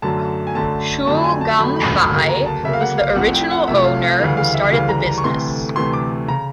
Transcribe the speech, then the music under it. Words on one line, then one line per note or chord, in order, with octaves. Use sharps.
Chu Gam Fai was the original owner who started the business.
F#2 D3 F#3 A3 A5
G#5
F#2 D3 F#3 A3 A5
F2 D3 F#3 A3 A5
G#5
A5
F2 D3 F#3 A3 B5
B5
B5
D2 C#3 F#3 A#3
A#5
A5
D2 C#3 F#3 A#3 E5
F5
F#5
F5
C2 C3 F3 A3 F#5
G5
F#5
C2 C3 F3 A3 E5
F5
F5
D2 C#3 E3 G3 F5
F5
E5
D2 C#3 E3 G3 F5
A#5
A#5
C#6
D2 C3 E3 A3 C6
D2 C3 E3 A3 C6
D6
C#3 A#5